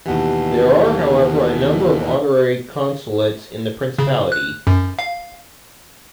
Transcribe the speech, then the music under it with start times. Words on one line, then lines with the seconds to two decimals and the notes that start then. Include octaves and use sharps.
There are, however, a number of honorary consulates in the principality.
0.06 D#2 B2 E3 G4 F#5 A5
3.99 C#3
4.32 F#6
4.67 F#2
4.99 F5